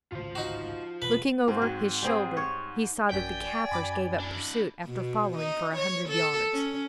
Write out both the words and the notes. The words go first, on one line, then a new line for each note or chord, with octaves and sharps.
Looking over his shoulder he saw that the Kaffirs gave up pursuit after following for a hundred yards.
D1 G#1 C#2 F4 C5
D#4 F#4
E1 B1 B4
G#2 C4
F#3
G3 C4 G#4
C#5
A1 F#2 D5 G5 G#5 B6
F#2 B5 D6
D4 E4
B2
D#4
C#5
A4
C#4